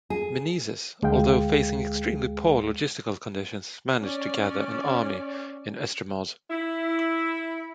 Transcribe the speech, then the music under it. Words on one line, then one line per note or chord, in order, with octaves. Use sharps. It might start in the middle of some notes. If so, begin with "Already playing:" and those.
Meneses, although facing extremely poor logistical conditions, managed to gather an army in Estremoz.
G#4
D2 G#3 G#4 F5 G5
C#4 D5
E4